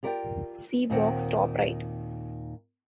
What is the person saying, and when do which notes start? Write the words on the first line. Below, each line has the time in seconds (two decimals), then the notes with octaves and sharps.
See box, top right.
0.03 F4 G4 A#4 D5 F#5 G5
0.90 D#2 A#2 D#3 C4 F#5 G5